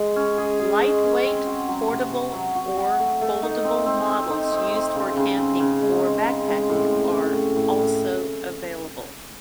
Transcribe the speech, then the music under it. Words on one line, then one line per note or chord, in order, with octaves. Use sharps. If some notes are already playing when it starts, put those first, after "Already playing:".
Lightweight portable or foldable models used for camping or back-packing are also available.
Already playing: G#3
C#4
G#4
G#4
G#3
C#4
C4
F#4
F#3
C3
F#4
F#3
F#4
F#4
A3
A3
D#4
C4
C4
C4
D#4
C4
C4
C#3
C#3
C4
C#3
G#3
C4
C#3
G#3
A2
A2
C#4
A2
A2
A2